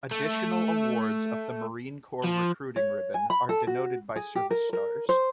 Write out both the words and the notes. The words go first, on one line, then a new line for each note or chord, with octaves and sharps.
Additional awards of the Marine Corps Recruiting Ribbon are denoted by service stars.
A3
F3
C#5
G#5
B5
A4
F#4
G#4
G4
A#4
A#4
C5